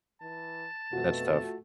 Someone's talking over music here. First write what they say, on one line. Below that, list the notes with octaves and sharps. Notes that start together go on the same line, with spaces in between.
That's tough.
E3 A5
F2 B2 A3 F4 F#4 F#5